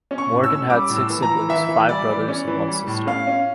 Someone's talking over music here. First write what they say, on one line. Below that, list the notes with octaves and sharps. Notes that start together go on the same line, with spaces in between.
Morgan had six siblings; five brothers and one sister.
C#4
C#6
A2
E6
C#4
G3 D6
A2
E6
E3
A#5
E3
E3 E5
E3
G3 D5
E3
C#4
E3
G3
A2
C#4 F5
C#4